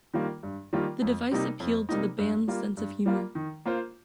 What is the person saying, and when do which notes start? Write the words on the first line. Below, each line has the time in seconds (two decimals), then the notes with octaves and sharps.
The device appealed to the band's sense of humour.
0.13 D#3 G3 A#3 F4
0.43 G2
0.73 D#3 G3 A#3 F4
1.02 F2
1.31 C3 G3 A#3 D#4
1.60 F2
1.89 C3 G3 A#3 D#4
2.18 G2
2.48 G3 A#3 F4
2.77 G2
3.06 G3 A#3 F4
3.35 D#3
3.66 A#3 F4 C5